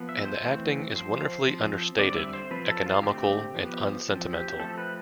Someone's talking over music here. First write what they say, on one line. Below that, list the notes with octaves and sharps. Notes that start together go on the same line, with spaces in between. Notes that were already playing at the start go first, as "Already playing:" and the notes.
And the acting is wonderfully understated, economical and unsentimental.
Already playing: F3 B3
E5
C5
E3 A3 C4
F3 C4 C5
F3 C4
D3 G3 C4 D5
E5
C5
F3 C4 B4
A4
F4
D3 A3 C4 G4
F3 B3
F3 C4
G4
G4
F3 A3 C4 A4
B4